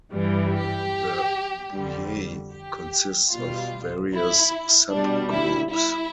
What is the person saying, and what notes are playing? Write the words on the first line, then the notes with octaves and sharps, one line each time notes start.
The Bouyei consist of various subgroups.
G2 E3 G3
G4
F2 D3 G3
G4
B2 G3 F4
E4
B2 G3 D4
E4
E4